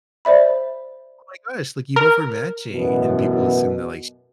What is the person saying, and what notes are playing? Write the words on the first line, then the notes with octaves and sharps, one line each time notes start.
"Oh my gosh, like, you both are matching." And people assume that, like, she
C5 D5 E5 B5
A#4
A1 F#2 B2